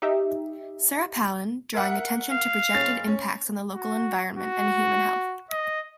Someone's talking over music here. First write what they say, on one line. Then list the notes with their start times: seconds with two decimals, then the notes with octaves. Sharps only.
Sarah Palin, drawing attention to projected impacts on the local environment and human health.
0.02 D#4 G4 E5
1.74 A#4 E5 F#5
2.31 F5
2.73 F#1 C#4 A6
3.07 C#4
3.72 F#4
4.36 F#4
5.51 D#5